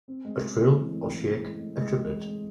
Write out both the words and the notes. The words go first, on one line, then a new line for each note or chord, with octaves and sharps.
A trill, or shake a triplet.
C4
G#3
G#3
C4
E3
A2
E3
E3
G#3
G#3
G#3
E3
G#3
G#3